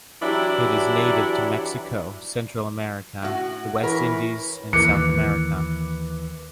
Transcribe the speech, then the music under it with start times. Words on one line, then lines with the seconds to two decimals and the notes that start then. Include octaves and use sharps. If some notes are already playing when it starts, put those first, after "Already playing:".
It is native to Mexico, Central America, the West Indies and South America.
0.21 E3 F#3 D4 E4 G4 D5
3.22 A2 F#4
3.83 E3 A#4 B4 C#5
4.73 D#2 D#3 E3 A#3 A#4 D6 F#6 C#7